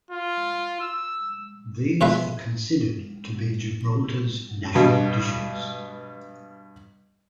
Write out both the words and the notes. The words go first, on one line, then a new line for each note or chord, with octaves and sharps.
These are considered to be Gibraltar's national dishes.
F4
E6
B2 F3 G#3 B4 E5
G2 B2